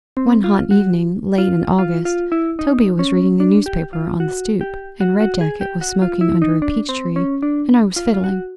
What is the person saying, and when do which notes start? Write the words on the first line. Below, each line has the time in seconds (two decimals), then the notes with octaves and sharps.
One hot evening late in August, Toby was reading the newspaper on the stoop and Red Jacket was smoking under a peach tree and I was fiddling.
0.17 C4
0.44 F4
0.71 F#4
1.38 F4
1.79 F4
2.05 F4
2.32 E4
2.59 D#4
2.99 C#4
3.40 D4
3.66 G4
3.93 F4
4.20 F#4
4.61 G4
5.01 F#4
5.21 F#4
5.41 G#4
5.61 G4
5.81 F#4
6.02 F4
6.21 E4
6.42 D#4
6.62 D4
6.89 C4
7.16 C#4
7.42 D4
7.96 F4
8.14 F4
8.24 F#4